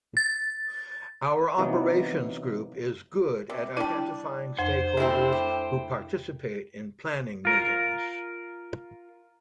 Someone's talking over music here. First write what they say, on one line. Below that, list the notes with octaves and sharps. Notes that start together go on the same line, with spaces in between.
Our Operations group is good at identifying stakeholders who participate in planning meetings.
A6
C3 E3 F#3 A#3 B3 D#4
C3
G3 D4 E4
F2 C5
G#3 A3 C4 D4 E4
G4
F4 A#4